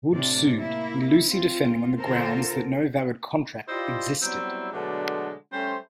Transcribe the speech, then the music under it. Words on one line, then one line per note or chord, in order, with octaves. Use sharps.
Wood sued, with Lucy defending on the grounds that no valid contract existed.
A2 C3 D4 D5
A#3 E4
C4 F4
D3 F4 A4 A#4 C5
E4 F4 G4 C5 D5 D#5
F#3 G3 B3 C4 E4
B2 D3 F#3 G#3 A3 D4
G3 A3 C#4 C5